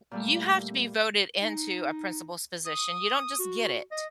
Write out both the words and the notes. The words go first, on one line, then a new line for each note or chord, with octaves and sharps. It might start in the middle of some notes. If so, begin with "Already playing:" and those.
You have to be voted into a principal's position, you don't just get it.
A#2 G3 A3
D#4
D#6
F#4
D#5